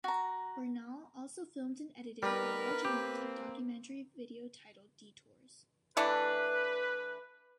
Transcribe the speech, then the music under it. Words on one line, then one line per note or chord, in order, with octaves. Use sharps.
Bernal also filmed and edited a large amount of the documentary video titled Detours.
F#4 A#5
G3 B3 D#4 A#4 B4
A#3 C4 G4
E3 A3 D4 B4